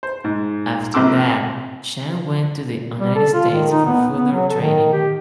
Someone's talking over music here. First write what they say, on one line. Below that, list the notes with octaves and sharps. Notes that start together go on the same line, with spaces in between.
After that, Chang went to the United States for further training.
C5
G#2
A#1 C3 C4 C6 D6 E6
G3
A4
F4
D#3
D#4
B3
B3
F#3
A4
D#3
G4